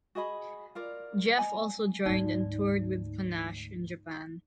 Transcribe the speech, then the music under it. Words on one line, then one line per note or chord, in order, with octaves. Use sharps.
Jeff also joined and toured with Panache in Japan.
F#4 G#4 D#5 B5
F4 A#4 D5
D#5 G#5 A#5
D2 G#2 D#4 D5